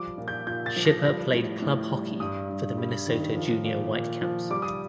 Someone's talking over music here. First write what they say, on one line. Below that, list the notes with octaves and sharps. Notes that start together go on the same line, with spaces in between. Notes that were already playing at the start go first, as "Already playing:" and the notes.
Schipper played club hockey for the Minnesota Junior Whitecaps.
Already playing: F3 G3 D6
A#2
G6
A#2 G6
A6
F3
A#6
G3 A#6
A2
A2
G3
G2 D#6
G2
G3
D#3
F3
A#2
A#2
F3
G3 D6
D#6